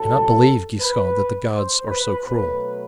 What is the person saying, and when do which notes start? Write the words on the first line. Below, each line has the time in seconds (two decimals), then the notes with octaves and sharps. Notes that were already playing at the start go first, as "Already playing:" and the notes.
I cannot believe, Giscon, that the gods are so cruel.
Already playing: C2 C3 F#3 A4
0.80 B4
1.54 C5
1.89 B4
2.25 B2 F#3 A3 B4